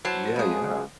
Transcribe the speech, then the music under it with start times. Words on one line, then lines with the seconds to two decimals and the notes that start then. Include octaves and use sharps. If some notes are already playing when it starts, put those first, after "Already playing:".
Yeah, yeah.
0.05 E3 F#3 C5 A5
0.36 C#3 G#3 G#4